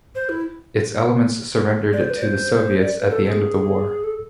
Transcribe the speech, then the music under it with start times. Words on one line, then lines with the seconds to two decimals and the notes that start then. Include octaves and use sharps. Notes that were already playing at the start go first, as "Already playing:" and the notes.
Its elements surrendered to the Soviets at the end of the war.
0.15 C5
0.29 E4
1.93 D5
2.01 C5
2.10 B4
2.18 D5
2.22 C5
2.81 D5
3.00 B4
3.11 A4
3.25 A4
3.30 G#4
4.04 A4